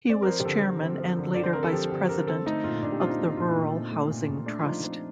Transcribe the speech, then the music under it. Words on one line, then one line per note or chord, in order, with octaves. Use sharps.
He was chairman and later vice-president of the Rural Housing Trust.
C4 D5
A#4
F3 C5
G4
D3 A4
D3
C4
F3
D3
D3 D5
C5
C4 A#4
A4
F3 G4
D3 G4
D3 A#4
C4 A4
A3 D#4
A#2 F4
A#2 D4
G4
C4 F4
D#4
A3
A#2 F4
A#2
C4
A3
A#2
A#2
A3 D4
F4
F3 D#4
C4